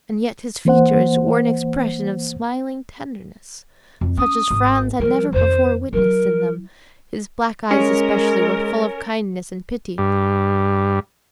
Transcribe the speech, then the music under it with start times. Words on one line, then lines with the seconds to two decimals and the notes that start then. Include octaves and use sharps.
And yet his features wore an expression of smiling tenderness, such as Franz had never before witnessed in them; his black eyes especially were full of kindness and pity.
0.65 E3 A#3 C5 F#5
4.01 F2
4.17 C#4 D#6
4.50 G#1
5.00 F3 G3 A#4
5.33 F2 D#3 C5
5.93 F#3 E4 A#4
7.71 G#3 C#4 A#4
9.98 G2